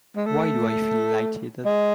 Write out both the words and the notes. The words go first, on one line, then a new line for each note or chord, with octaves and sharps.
Why do I feel light-headed?
G#3
A3
G#3